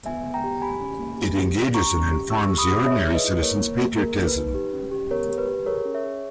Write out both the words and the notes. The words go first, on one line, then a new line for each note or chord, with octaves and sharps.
It engages and informs the ordinary citizen's patriotism.
B3 E5 G#5
B3
G5 A#5
G4
G4 G#5 B5
C#4
A#3
G4
G4
G4
C#4 A#5 C#6
C#4
G4
G4 C#6 E6
G4
B5 D#6
G4
G#4 C#5 E5
G#4
B4 D#5
E4
A#3 A#4 C#5
A#3
A#3
G#4 A#4
A#3
B4
D#4
G4
C#4
G4
B3 A#4 C#5
G4
B4
G4
G#4 A#4 C#5
C#4
C#5 E5
G#4